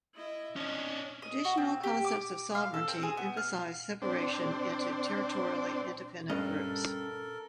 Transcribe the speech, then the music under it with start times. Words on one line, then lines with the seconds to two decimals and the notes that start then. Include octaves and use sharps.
Traditional concepts of sovereignty emphasize separation into territorially independent groups.
0.15 E4 D#5
0.56 C#4 D4 D#5
1.22 D#5
1.45 F#4
1.57 C4
1.83 G4
2.05 D6
2.55 F5
2.74 A4
2.88 C4
3.03 G#4
3.17 B3
3.37 F5
4.02 C4 D4
6.30 G2 C#4 A4 A#4 D#5